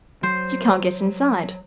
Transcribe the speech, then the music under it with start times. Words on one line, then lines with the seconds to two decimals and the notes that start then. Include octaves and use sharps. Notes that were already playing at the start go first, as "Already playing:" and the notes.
"You can't get inside."
0.23 F#3 C5